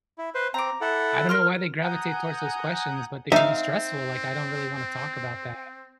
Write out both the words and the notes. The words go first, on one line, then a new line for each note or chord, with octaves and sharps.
I don't know why they gravitate towards those questions, but they can be stressful, like I don't really wanna talk about that.
E4
B4 C5
C4 A#5 D6
E4 A4 F#5
A#4 C6 F6
F#5 G#5 A#5 D#6 F#6 G6
C4 D#4 E5 F5